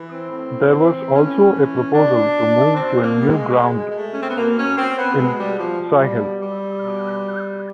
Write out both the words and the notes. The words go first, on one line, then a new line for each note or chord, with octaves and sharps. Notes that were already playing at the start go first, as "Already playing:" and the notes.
There was also a proposal to move to a new ground in Sighthill.
Already playing: E3
C4
A2
E3
A2 C#4
E3
B2 D4
B2 C4
A#3
G3
G#3
B2 G#3
G#3
A3
C#4
C4
B3
B2 A#3
C#4
C4
B3
B2 G#3
G3
F3
B2 G3
G3
B2